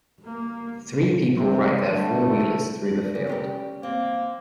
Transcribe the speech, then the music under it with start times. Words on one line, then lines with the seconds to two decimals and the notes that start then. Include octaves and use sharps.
Three people ride their four wheelers through the field.
0.25 A#3
1.36 C3
1.89 D3 A3
2.85 D5
3.15 E2
3.27 C#4 G4 D5
3.83 A#3 C4